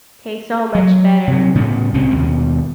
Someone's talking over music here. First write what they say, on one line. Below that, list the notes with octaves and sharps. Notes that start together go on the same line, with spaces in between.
Tastes so much better.
F#3
C3 F#3
A2 C#3 G3 B3
C2 B2 C4 C#4
D#2 B2